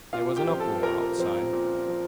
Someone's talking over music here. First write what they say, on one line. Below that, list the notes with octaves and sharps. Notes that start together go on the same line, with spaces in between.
There was an uproar outside.
A#2 F4 F5
G4 G5
F3 C4
A4 A5
A#2 A#4 A#5
F3 C4
A#2
F3